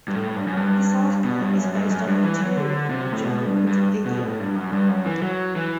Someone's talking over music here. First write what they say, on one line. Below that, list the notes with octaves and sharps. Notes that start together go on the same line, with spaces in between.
This article is based on material from the German Wikipedia.
G2
A2
G2
F#2
G2
B2
G2
F#2
G2
F#2
G2
E3
F#3
D3
C3
A2
B2
G2
G2
B2
A2
G2
F#2
G2
F#2
E3
F#3
E3